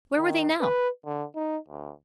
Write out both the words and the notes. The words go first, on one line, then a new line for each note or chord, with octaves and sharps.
Where were they now?
D#3
B4
D3
D#4
D2